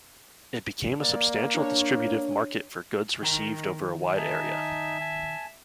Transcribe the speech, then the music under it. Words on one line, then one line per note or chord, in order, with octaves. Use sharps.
It became a substantial distributive market for goods received over a wide area.
A#3 D5
D4 C#5
D#3 A#4 G5 A#5
D#4 E5 G#5 A5
G#5 A5